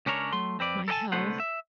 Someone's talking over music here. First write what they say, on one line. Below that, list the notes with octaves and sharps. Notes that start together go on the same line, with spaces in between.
my health
C#2 C#4 D4 A#4 C#5
F#3 A3 C6
F2 C4 B4 D5
A4 A#4 D#5 G#5 A5
C2 D3 A3 B3 C5 F#5
E5